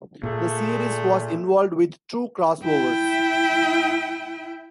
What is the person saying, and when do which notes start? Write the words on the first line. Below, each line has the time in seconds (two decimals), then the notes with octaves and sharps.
The series was involved with two crossovers.
0.23 A#2 A3 G#4
2.65 E4 G5